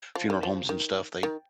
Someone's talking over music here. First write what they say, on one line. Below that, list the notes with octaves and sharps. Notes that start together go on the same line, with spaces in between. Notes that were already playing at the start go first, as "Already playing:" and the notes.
funeral homes and stuff, they
F3
D#3
F3
D#3
D#3